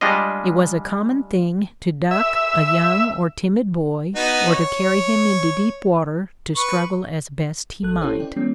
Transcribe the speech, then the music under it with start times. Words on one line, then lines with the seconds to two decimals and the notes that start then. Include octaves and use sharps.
It was a common thing to "duck" a young or timid boy or to carry him into deep water to struggle as best he might.
0.01 G3 G#3 D4 F4 D#5
2.11 E5
4.15 B3 D#4 F#4
4.50 C#5
6.56 B4 C#6
7.82 A1 A4 F#6
8.01 C#4 E4 G4 A4 C5 C#5
8.20 D5 G5
8.36 E3 G#3 B3 C#4